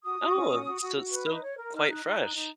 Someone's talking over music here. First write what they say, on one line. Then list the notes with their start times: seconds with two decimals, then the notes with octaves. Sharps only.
Oh, so still quite fresh.
0.04 F#4 D#6
0.20 F#4
0.35 C#4
0.50 F#4
0.65 F#4
0.81 F#4
0.96 F#4
1.12 B4
1.27 D#4
1.42 C#5
1.57 A#4
1.73 D#4 F6
1.88 D#4 F#6
2.04 D#4
2.18 D#4
2.34 D#4